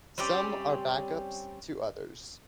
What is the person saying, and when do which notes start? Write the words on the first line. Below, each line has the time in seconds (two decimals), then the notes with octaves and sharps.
Some are backups to others.
0.18 G3 C4 C#4 G4